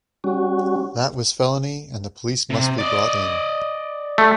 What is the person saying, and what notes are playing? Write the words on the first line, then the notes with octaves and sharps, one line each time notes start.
That was felony, and the police must be brought in.
G3 C#4 F#4
C3
D5 D#5
A3